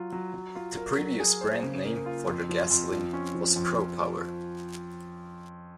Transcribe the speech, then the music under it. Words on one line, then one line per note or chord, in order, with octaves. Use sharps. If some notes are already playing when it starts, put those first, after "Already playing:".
The previous brand name for their gasoline was Propower.
Already playing: F#3 F4
F#3
F#3
F4
A#4
F#3
G#4
C5
C#3
A#3
F4
F2
F3
F2
F3
C#4
F3
F2
F3